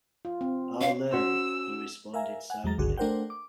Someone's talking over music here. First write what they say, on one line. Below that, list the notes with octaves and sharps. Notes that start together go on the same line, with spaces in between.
"I'll learn," he responded soberly.
F4
C4
C#4 F5
C#4 F#4 C5 E6
A#4 E5 F5 G#5 A#5
F#5 G#5
E2 F#3 G#3 A#5 A6
G1 C#2 D3 F#4 G#4
A3 D4 A#4 C5 F#5 G5
D6